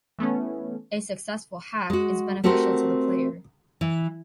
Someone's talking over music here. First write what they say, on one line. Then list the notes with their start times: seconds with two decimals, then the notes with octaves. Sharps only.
A successful hack is beneficial to the player.
0.19 E3 A3 B3 C#4
1.90 G#3 F#4
2.44 A3 C4 F#4 G4 A#4 C5
3.81 E3